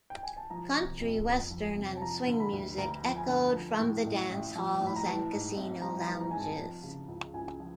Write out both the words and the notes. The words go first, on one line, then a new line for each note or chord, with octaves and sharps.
Country Western and Swing music echoed from the dance halls and casino lounges.
G5
G#5
A5
F3 A#5
C3
F2
F2
F3
C3
A5
F3 A#5
D3
B5
D2
D2 A#5
F3
G#5
D3
F3
A2
A1
A1
F3
A2
B5
A#5
E3 A5
G#2
G#1
G3 A#5
A#5
E3
A#5
G#2 G#5
A5
F3
C#3
C#2
C#2 G#5
F3